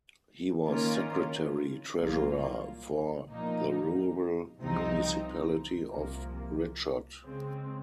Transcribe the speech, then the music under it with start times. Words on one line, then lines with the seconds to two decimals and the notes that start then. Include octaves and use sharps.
He was secretary-treasurer for the Rural Municipality of Ritchot.
0.67 D#3 A#3 C#4 F4 A#4
1.98 C2 A#2 F#3 A#3 F4
3.30 A#2 F3 A#3 D#4
4.61 C2 C3 F3 C4 D#4
5.92 C2 C3 F3 A#3
7.24 C#3 G#3 C4